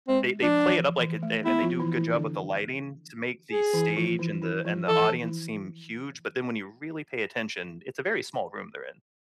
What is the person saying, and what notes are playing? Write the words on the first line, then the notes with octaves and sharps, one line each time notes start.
they they play it up like it and they do a good job with the lighting to make the stage and the and the audience seem huge, but then when you really pay attention, it's a very small room they're in.
G#3 C4
F3 D4
E3
F3
E3
A3
B3 E4
F3 F4
E3 E4
E3 E4
D3 D4
G#4
E3 E4
F3 F4
E3 E4
E3 E4
F3 F4
E3 E4 A4
E3 E4